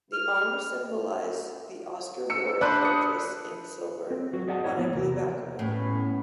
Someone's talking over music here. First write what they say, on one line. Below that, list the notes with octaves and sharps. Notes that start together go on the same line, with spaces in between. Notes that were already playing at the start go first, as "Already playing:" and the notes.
The arms symbolize the Oscarsborg Fortress in silver on a blue background.
F6
E6 C#7
D4 B4 C5 D5 F#6
D#6 C#7
C4
F#3 F#4
G#4 D5 D#5 F#5 G5 A5
E4 B4 C#5
F3 A#3 B3
E2 C3 A#4
A2 B3 C#4